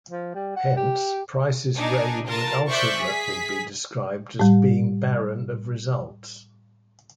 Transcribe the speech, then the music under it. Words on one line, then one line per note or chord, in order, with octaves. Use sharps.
Hence, Price's raid would ultimately be described as being "barren of results".
F3
G3
F#5
G4
D4 D#4 G#5
F4 A#4 A5
C5 D5 E5 C#6 F#6 G6
G#4 B6
A2 G3